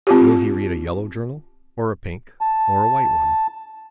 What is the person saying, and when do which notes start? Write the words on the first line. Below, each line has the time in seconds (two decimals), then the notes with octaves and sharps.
Will he read a yellow journal or a pink or a white one?
0.07 C4 F4 G4
2.41 A5